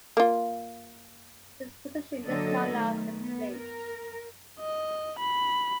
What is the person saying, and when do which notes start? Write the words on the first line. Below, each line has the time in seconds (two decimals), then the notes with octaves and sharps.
This position is known as "the Clinch".
0.17 A#3 F4
2.25 D3 F#3 A#3 D4 A4 D#5
2.71 D#3 A3 B3
3.19 B3
3.53 A#4
4.59 D#5
5.19 B5